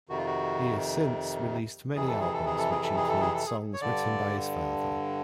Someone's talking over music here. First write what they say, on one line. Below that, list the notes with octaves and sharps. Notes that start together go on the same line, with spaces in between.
He has since released many albums which include songs written by his father.
F2 C3 D#3 F#4
F4
F#4
F2 C3 E3 G#4
A4
G#4
A4
G#4
A4
G#4
A4
G#4
A4
G#4
A4
G#4
C#5
G2 D3 D5